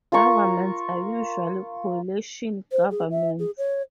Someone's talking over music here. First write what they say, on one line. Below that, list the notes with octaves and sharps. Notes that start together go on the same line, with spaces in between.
Governments are usually coalition governments.
F4 A#4 A#5 C#6
C5
G#4
E5
G#4
C#5